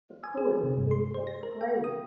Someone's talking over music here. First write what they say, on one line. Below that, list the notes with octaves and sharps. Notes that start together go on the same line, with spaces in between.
According to Exclaim!
G#5
G#4
C3
G2
C6
C5
A#6
A#4
G5
D#6